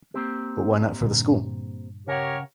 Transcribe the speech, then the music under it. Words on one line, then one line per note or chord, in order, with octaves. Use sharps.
But why not for the school?
A#3 C4 G4
G2 A#2 D3
C#3 G4 A#4 C#5 F#5